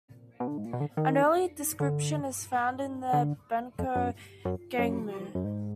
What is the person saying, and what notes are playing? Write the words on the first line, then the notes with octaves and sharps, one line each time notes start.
An early description is found in the Bencao Gangmu.
B2
D3
G#2
A#2
B2
D3
D#3
D3
D3
F2
F#2
F#2
F#2
F#2
G#2